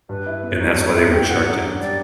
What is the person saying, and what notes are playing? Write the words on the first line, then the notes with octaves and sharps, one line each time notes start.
and that's why they were in Shark Tank,
G2 B4
E4
B3
F#3
G2 C#5
E4 B4
B3 G5
F#3 F#5
F#2 F#5
D4
G3 D5